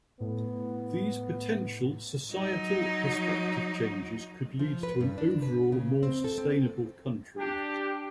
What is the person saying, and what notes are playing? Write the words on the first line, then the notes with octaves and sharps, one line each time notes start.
These potential societal perspective changes could lead to an overall more sustainable country.
A2 B3
F#3 D#4
F3
B4
G2
D4
B4
C#3
C4
A4
C4
D4 G4